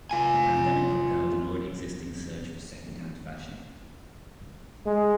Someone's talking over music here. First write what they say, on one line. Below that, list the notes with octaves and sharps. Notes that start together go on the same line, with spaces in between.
The pandemic propelled an already existing surge for secondhand fashion.
F4 G#5
G#3